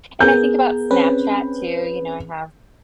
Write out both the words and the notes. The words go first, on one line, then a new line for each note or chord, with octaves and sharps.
and I think about Snapchat, too, you know, I have,
B3 G#4 A#4 G6
C4 C#4 B4